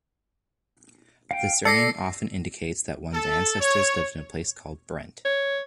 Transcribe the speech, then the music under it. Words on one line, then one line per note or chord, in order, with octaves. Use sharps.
The surname often indicates that one's ancestors lived in a place called Brent.
F5 G5
A4 D5 D6 A#6 C7 C#7
A4
C#5
C#5